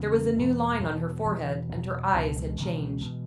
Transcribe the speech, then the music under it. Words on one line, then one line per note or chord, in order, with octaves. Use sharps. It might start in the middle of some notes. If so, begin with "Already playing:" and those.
There was a new line on her forehead, and her eyes had changed.
Already playing: E2 C#3 F#3 B3
E2 B2 E3 G#3
G#3
E2 B2 F#3
E2 B2 E3
E2 B2 F#3
C#2 B2 G#3
F#3
E3 G#3
C#2 B2
B2